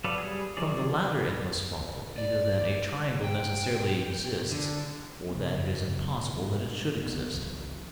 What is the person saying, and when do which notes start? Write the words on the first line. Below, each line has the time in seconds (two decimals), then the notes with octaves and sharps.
From the latter it must follow, either that a triangle necessarily exists, or that it is impossible that it should exist.
0.04 F#3 A4 B4 D5 F5
0.18 G3 G#4
0.57 D#3 F3 F#3 G#4 D5
2.18 D5
3.24 G5
4.51 D3
5.30 C#3 B3
5.68 F2
5.88 C#3 F#3 B3
6.35 G#2 C3 G3
7.01 F#1 B3
7.32 G#1 C#2 E3 F#3